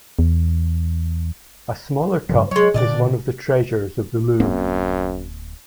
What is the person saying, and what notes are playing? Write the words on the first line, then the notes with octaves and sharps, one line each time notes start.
A smaller cup is one of the treasures of the Louvre.
E2
G2 C#3 F3
F#3 G#3 C#5
A#2 D3 D4 D5 D#5
D1 F#2 A#3 C4